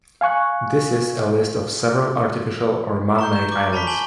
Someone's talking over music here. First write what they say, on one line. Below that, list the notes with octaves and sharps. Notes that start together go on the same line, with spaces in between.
This is a list of several artificial or man-made islands.
F5 G#5 C#6 F#6
A#5 C#6 G6
G6 E7
D6
A5 B5 C#6 B6
G#5 A5 F#7 G7